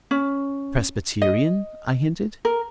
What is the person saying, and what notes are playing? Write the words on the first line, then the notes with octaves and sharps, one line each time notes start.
"Presbyterian?" I hinted.
C#4
D#5
A#4